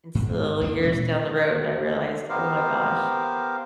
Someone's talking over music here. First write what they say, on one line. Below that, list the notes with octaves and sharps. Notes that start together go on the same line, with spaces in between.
until years down the road, I realized, oh my gosh,
G#2
D#2 A#3 D4
A#2 G#3 C#4
B3 G4 A#4 C5 F5